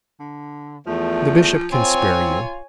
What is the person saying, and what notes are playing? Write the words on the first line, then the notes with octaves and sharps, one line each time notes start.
The bishop can spare you.
D3
E2 F3 A3
C4 F4 C#5 G#5